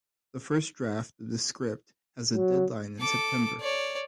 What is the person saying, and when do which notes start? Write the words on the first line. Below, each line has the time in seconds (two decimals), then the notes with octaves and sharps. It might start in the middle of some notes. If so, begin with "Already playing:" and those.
The first draft of the script has a deadline in September.
2.35 F#3
3.00 A4 D6
3.60 C#5 D5